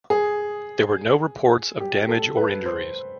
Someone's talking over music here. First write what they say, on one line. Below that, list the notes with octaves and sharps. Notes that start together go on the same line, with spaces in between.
There were no reports of damage or injuries.
G#4
G4
A4
B4
C5